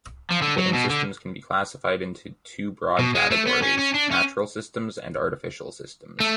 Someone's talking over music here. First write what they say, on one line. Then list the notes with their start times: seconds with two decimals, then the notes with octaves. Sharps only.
Bidding systems can be classified into two broad categories: "natural" systems and "artificial" systems.
0.31 F3
0.42 D3
0.58 F#3
0.73 B2
0.90 D3
2.99 B2
3.15 G#3
3.31 A3
3.47 B3
3.63 C#4
3.79 C#4
3.95 D4
4.11 C#4
6.20 A3